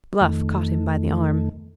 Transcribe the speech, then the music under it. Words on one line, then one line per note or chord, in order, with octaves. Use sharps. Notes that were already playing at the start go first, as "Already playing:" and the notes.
Bluff caught him by the arm.
F2 D#3 A3